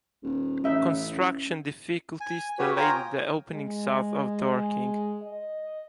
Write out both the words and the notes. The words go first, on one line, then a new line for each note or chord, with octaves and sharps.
Construction difficulties delayed the opening south of Dorking.
D#1
A1 C#4 D#4 E5
G#5
F#4 G4 B4 C#5
F4 C#5 G5 G#5 A#5 D#6
G#3
D#5